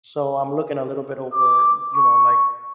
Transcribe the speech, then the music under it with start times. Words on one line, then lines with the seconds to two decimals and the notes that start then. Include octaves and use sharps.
so I'm looking a little bit over, you know, like,
1.32 D6
1.95 C#6